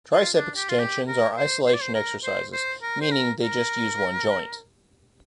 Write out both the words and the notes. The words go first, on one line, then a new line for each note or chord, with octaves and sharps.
Triceps extensions are isolation exercises, meaning they use just one joint.
F4
D4
G4
F4
G4
A#4
C5
C5
D5
C5
A#4
C5
C5
A#4
C5
A#4
A#4